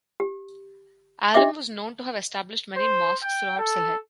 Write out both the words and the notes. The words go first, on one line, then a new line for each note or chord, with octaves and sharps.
Alam was known to have established many mosques throughout Sylhet.
G4
D4 G4 D#5 E5 D6
C5
G5
A4